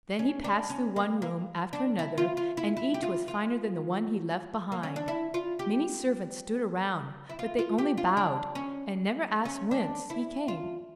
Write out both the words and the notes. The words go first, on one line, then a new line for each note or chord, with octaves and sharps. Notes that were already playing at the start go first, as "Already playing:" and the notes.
Then he passed through one room after another, and each was finer than the one he left behind. Many servants stood around; but they only bowed, and never asked whence he came.
C#4
D4
C#4
A#3
A#3
D4
E4
F4
F4
E4
E4
G4
F4
F4
A#3
C#4
D4
E4
F4
G4
E4
F4
F4
G4
F4
D4
C#4
C#4
D4
E4
F4